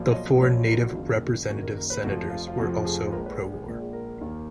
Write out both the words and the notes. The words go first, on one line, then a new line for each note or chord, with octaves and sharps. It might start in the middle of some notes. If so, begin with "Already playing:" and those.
The four Native Representative Senators were also pro-war.
Already playing: B1 A#2 F3
C#5
D#5
B1 A#2 F3 C#5
C#5
A#4
F#4
F#1 F#2 D#3 A#3 F4
F#1 F#2 D#3 A#3 F#4
A#4
A#4
B4
F1 F2 F3 F#4
F4
F4
F1 F2 F3 F#4
G#4
B4
A#1 A#2 G#3 A#4
B4
A#4
G#4
A#1 A#2 G#3 A#4
G#4
A#4
D#2 D#3 A#3